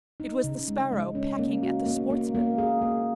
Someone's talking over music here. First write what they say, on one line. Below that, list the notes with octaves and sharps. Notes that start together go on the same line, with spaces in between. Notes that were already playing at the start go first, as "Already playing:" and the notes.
It was the sparrow pecking at the sportsmen.
D#4
C#3
G#3
G#3
C#4
A#3
F#4
A#3
A#3
A#3
G#4
A#3